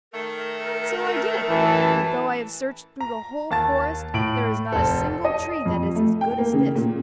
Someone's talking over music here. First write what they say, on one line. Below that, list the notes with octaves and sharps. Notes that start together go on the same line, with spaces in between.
'So I did; but though I have searched through the whole forest, there is not a single tree that is as good as this.
D#3 A3 A#4
A1 F#2 E3 A5
A#5
D#2 A5 A6
A2 D7 F#7
F1 C4 A4
D#5
F2
A3
G5
A#3
C#3
A#2